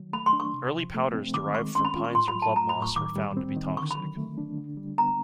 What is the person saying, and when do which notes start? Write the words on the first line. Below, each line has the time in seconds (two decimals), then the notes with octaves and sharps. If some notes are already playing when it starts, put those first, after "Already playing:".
Early powders derived from pines or club moss were found to be toxic.
Already playing: D#3 F#3
0.13 A3 B5
0.26 C6
0.33 D4
0.40 C#6
0.53 C3
0.73 F3
0.94 A3
1.14 C4
1.34 D#3 D6
1.54 G#3 C#6
1.75 C#4 C6
1.85 B5
1.95 F4
2.04 C#6
2.15 A2 C6
2.28 B5
2.35 F#3
2.42 A5
2.56 A3 A#5
2.69 B5
2.76 A2
2.82 C#6
2.96 D#3 D6
3.16 G3
3.37 C4
3.56 D#3
3.77 D3 C#6
3.91 B5
3.96 F#3
4.17 A3
4.38 D4
4.58 D3
4.77 G3
4.98 B3 A#5